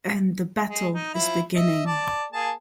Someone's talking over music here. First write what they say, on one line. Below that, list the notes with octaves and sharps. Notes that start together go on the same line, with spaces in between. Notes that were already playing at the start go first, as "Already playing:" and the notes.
And the battle is beginning.
G#3
D#4
F3 E4
D#5 E5
D5 A5
A#3 G#4 A5